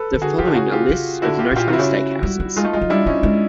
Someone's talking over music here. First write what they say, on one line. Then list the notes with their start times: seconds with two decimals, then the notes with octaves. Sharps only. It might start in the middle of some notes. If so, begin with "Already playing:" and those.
The following are lists of notable steakhouses.
Already playing: A4 B4
0.13 D#3
0.22 D3 F#4 G#4
0.38 C#3 F4 G4
0.47 D3
0.55 C#3 F#4 G#4
0.72 F4 G4
0.89 C#3
1.22 D3 E4 F#4
1.39 F4 G4
1.51 A2
1.56 A#2 F4 G4
1.67 C3
1.73 E4 F#4
1.79 C#3
2.23 G3
2.40 G3
2.56 G#3 D#4 F4
2.64 A3
2.73 G#3 D#4 F4
2.82 F#3
2.90 G3 D4 E4
3.06 G3 C#4 D#4
3.23 G#3